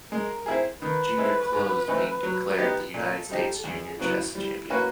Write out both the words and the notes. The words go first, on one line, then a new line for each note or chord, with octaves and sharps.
Junior Closed being declared the United States Junior Chess Champion.
G#3 A#4
C4 E4 G#4
D#3 B4
G#3 C4 E4 A4
G#2
E3 A3 C4 D#4
F#3
B3 D#4 G4
A#2 A4
G3 C4 D#4 G4
E2 G#4
C#3 F#3 B3 E4
G3 E4
A#3 C#4 F#4 B4